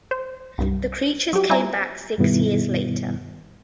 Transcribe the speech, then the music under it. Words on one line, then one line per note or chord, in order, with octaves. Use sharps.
The Creatures came back six years later.
C5
C2 G2
F#3 G4
G3 E4 F4 G#5 A#5
G2 B2 D#3 G3 B3 E4